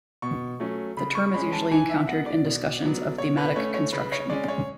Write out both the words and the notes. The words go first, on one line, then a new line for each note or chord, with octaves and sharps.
The term is usually encountered in discussions of "thematic construction".
B2 C#6
F#3 A3 C#4
C#3 B5
C#6
G#3 C#4 B5
A5
E3 G#5
E5
B3 F#5
D5
B2
F#3 B3
B2 C#5
B4
A3 C#4 C#5
C#5
C#3 B4
C#5
G#3 C#4 D5
C#5